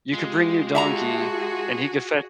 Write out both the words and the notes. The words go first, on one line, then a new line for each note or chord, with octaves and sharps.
you could bring your donkey and he could fetch"
G#3 F4 G4
F#4 G#4 E5 A5 A#5